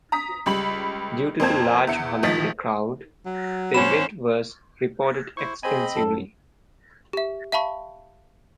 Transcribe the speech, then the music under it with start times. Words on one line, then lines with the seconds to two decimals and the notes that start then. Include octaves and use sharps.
Due to the large holiday crowd, the event was reported extensively.
0.12 A#5 D#6 B6
0.46 C#2 G3 B5 F#7
1.40 F2 A#3 C4 A5 G#6
1.87 E2 E5 C#7
2.23 A1 D#3 F3 D#5 A6 B6
3.26 F#3
3.74 G#1 C#4 C5 B5 E7
5.37 E4 C5 C#6
5.63 C4 G#4 C5 D#5 G#5 B5
5.96 F#2 A4
7.13 G4 E5
7.52 E5 F5 A5 B5 C#6